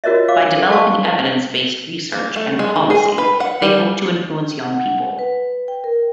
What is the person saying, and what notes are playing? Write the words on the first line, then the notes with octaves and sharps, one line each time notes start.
By developing evidence based research and policy they hope to influence young people.
F4 F#4 A#4 C#5 D#5 E5
C#5 F5 D6
A4
A4 B4 F5 A5 C#6
B4
A#3
A3
G#3
D#3
G#4
G#3
B4
F#5
G3
F#5
B4
G5
A#4